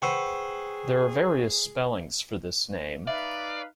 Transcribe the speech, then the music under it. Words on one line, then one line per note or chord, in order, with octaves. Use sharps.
There are various spellings for this name.
G#4 B4 C5 F#5 G5 C#6 E6
D#4 B4 D5 E5 F5